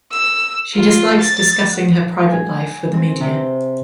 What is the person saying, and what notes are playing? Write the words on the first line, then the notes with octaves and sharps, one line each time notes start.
She dislikes discussing her private life with the media.
E6
F4
A6
F#5
G#5
C4
C3